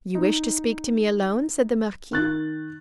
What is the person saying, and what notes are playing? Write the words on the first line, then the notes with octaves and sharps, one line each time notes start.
"You wish to speak to me alone?" said the marquis.
D#4
D#3 F#6 A6